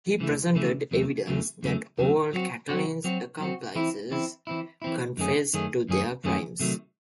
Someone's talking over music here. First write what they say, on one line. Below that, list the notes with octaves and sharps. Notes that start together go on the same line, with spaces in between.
He presented evidence that all of Catiline's accomplices confessed to their crimes.
C#3 E3 A3
C#3 E3 A3
E2 C#3 F#3 A3
E2 C#3 F#3 A3
E2 C#3 F#3 A3
E2 C#3 F#3 A3
F#3 C4 F#4
F#3 C4 F#4
F#3 C4 F#4
F#3 C4 F#4
E3 C4 E4
E3 C4 E4
E3 C4 E4
E3 C4 E4
F#2 D#3 A3 C#4 G#4
F#2 D#3 A3 C#4 G#4
F#2 D#3 A3 C#4 G#4
F#2 D#3 A3 C#4 G#4
C3 D#3 F#3 A3